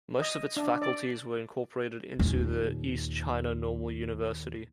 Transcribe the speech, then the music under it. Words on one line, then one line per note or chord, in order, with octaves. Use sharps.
Most of its faculties were incorporated into the East China Normal University.
D#5
D4
D5
D#2 A#2